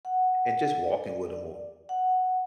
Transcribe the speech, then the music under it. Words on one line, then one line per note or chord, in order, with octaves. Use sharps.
and just walking with 'em, or
F#5
D5
F#5